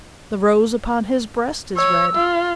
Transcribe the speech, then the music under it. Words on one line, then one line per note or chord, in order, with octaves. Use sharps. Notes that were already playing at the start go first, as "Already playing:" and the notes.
The rose upon his breast is red.
C#5 E6
F4